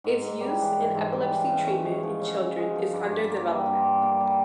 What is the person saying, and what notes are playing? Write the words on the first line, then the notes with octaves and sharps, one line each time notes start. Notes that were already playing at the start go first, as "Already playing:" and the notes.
Its use in epilepsy treatment in children is under development.
G#2
G#2
G3
E3
G#2
G#2
G3
E3
C#3
C#4
G#3
F3
C#3
C#4
G#3
F3
G2
G2
A#3
G3
G2
G2
A#3
G3